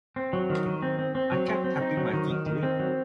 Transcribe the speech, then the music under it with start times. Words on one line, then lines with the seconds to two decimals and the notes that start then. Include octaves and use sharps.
I kept tapping my feet to it.
0.16 C4
0.33 F#3
0.50 D#3
0.66 D#3
0.82 C4
0.99 C4
1.15 C4
1.32 F#3
1.48 C4
1.64 C4
1.81 D#4
1.97 F#3
2.14 D#3
2.30 D#3
2.46 D#3
2.63 C4
2.80 F#3